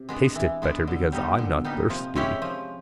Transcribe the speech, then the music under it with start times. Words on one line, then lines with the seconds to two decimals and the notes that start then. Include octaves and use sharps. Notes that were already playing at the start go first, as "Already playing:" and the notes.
Taste it better because I'm not thirsty.
Already playing: C3
0.09 G#3 B3 D4
0.35 E3
0.62 G#3 B3 D4
0.87 B2 D3
1.12 B2 G3 B3 D#4
1.26 B2
1.38 A#2 D3
1.56 B2
1.65 G3 B3 D#4
1.73 A#2
1.90 C3 F3
2.16 G#3 C#4 E4 G4
2.42 F3